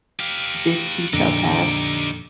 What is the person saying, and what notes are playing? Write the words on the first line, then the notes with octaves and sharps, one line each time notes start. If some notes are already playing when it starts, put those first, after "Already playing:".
this too shall pass.
G4 F5
F2 A#2 D3 D#4 G4